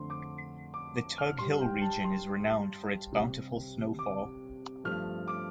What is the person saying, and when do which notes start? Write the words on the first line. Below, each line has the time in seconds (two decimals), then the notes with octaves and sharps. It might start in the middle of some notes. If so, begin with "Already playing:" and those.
The Tug Hill region is renowned for its bountiful snowfall.
Already playing: F2 D3 A3 C6
0.10 D6
0.74 D6
0.96 D6
1.18 F6
1.39 G2 G3 C6
1.61 G5
1.82 A5
2.04 C6
3.12 C3 G3
3.99 D6
4.84 G2 F3 A3 F6
5.28 D6